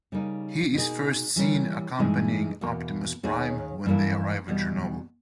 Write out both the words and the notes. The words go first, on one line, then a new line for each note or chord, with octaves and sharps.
He is first seen accompanying Optimus Prime when they arrive in Chernobyl.
C#3 G3 A#3 D#4
B2 A#3 D#4 G#4
E3 G3 C#4 G4 A#4
G2 E3 G#3 D#4
E2 B2 A#3
D#2 D#3 A#3 C#4 G#4
G2 E3 A#3 E4
E2 B2 G3 B3